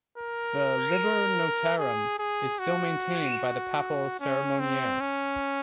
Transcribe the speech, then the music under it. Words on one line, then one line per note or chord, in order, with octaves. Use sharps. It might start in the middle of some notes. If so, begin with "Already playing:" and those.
The "Liber Notarum" is still maintained by the papal Ceremoniere.
A#4
G#4
G#4
F#4
C#4
C4
C#4